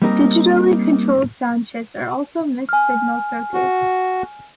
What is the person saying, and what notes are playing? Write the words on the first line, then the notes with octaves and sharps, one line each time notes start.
Digitally controlled sound chips are also mixed-signal circuits.
G3 A#3 C4 D#4 A#4
G#5 F6
F#4